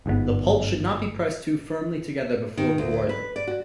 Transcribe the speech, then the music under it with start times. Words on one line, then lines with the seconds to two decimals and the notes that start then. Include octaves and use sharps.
The pulp should not be pressed too firmly together before broiling.
0.06 G1 G#2 D3 B3
2.57 D#3
2.78 D2
3.09 B4
3.36 D5
3.47 F#4